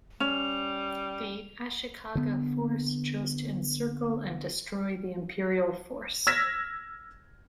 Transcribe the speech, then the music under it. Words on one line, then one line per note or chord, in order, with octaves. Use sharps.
The Ashikaga force chose to encircle and destroy the Imperial force.
G3 C#4 F7
D3 B3
E6 F6 G#6 A#6 B6 E7